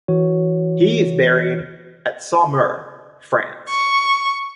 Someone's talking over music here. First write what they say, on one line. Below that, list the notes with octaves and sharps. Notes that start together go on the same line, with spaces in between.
He is buried at Saumur, France.
E3 F#4 C#5
C#6